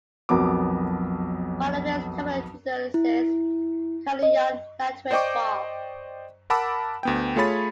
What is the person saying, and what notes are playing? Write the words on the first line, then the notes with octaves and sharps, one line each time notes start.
Part of this terminal utilises Cairnryan Lighterage Wharf.
B1 F2 F#3 B3 A#4 D6
E4
D#5
C5 D5 D#5 G5 C#6 D6
A#4 F#5 A5 B5 D6 E6
D2 B3 G5
A3 F4 G#4 C#5 B5 A6